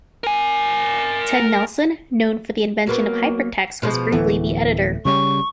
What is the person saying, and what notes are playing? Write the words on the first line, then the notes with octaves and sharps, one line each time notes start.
Ted Nelson, known for the invention of hypertext, was briefly the editor.
A#4 G#5
F#3 A#3 B3
B2 F3 G#3
D1 E3 A3 B3
C#3 G3 C#4 C#6